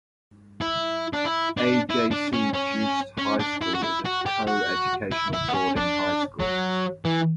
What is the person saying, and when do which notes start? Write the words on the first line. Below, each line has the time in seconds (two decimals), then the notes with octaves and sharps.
A. J. C. Jooste High School is a coeducational boarding high school.
0.61 E4
1.14 D4
1.25 E4
1.57 D4
1.90 E4
2.11 D4
2.33 C#4
2.54 C#4
3.19 C#4
3.40 D4
3.62 E4
3.75 F#4
3.83 E4
4.05 F#4
4.26 G4
4.48 F#4
5.12 E4
5.33 E4
5.49 B3
5.55 C#4
5.76 D4
6.40 F#3
7.05 E3